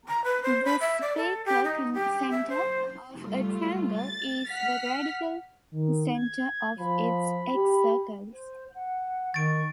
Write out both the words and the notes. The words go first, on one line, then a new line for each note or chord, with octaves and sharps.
The Spieker center of a triangle is the radical center of its excircles.
A#5
B4
C5
B5
E5
D5
A4
G4
D#4
G4
E5
C5
G3 A3 F4
A6
F#5 F6 B6
D#3
G#6
F3 B5
G4
C5
F#5
D#3 C#6 A6 D7